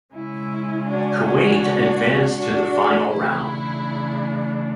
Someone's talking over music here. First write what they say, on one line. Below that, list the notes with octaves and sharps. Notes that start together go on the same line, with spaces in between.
Kuwait advanced to the Final Round.
C#3 G#3 C#4 E4
D4 F#4
D4 F#4
D4 F#4
C#3 E3 A3 D4 E4